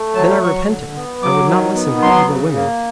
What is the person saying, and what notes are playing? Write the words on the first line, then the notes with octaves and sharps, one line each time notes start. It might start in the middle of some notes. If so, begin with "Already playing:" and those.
Then I repented, and would not listen to the evil women.
Already playing: A3
F#3 A5
F#3 C#6
D3
B3
F#3 D6
D#3
B3
F#3 C6
C#3
A#3